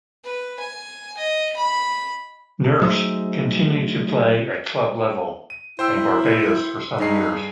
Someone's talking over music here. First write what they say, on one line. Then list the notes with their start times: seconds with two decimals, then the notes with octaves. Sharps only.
Nurse continued to play at club level and Barbados for some years.
0.24 B4
0.60 G#5
1.17 D#5
1.56 B5
2.82 F#3 A3 D#4 G#4 C5 E5
5.50 D#7
5.79 E4 C5 G5 E6
7.00 G2 D#4 G#4 C7